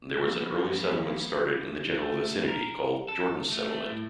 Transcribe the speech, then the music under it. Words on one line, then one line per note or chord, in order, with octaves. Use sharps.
There was an early settlement started in the general vicinity called "Jordan's Settlement".
F3 G#3 A#3 B3
A3
A#4
A4
A3
A3
A2